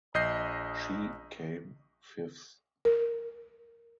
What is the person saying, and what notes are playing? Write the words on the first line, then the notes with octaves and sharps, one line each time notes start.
She came fifth.
A#1 D#5 G6 C7
A#4